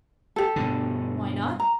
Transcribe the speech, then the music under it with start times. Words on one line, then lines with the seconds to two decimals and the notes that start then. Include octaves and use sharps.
"Why not?"
0.36 G4 A4
0.56 G2 B2 D3
1.60 A#5